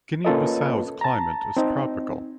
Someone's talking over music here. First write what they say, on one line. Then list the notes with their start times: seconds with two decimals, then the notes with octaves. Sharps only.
Guinea-Bissau's climate is tropical.
0.25 A#3 C#4 F4 A4 B4 D#5
1.01 A5 A#5
1.57 C4 D#4